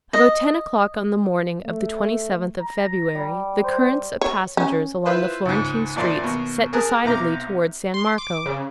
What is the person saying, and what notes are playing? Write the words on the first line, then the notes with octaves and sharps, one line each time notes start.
About ten o'clock on the morning of the twenty-seventh of February the currents of passengers along the Florentine streets set decidedly towards San Marco.
D#5
A3
A#5
G3
C5
C#5
C#4
E4 F4 B4 C5
C#2 G#2
A1 A#2 F3 D5 C6
D#2 B2
G#4 A#4 A5 D#6 F#6
B1 C3 F5 A#5 D6
C6
D6
C#3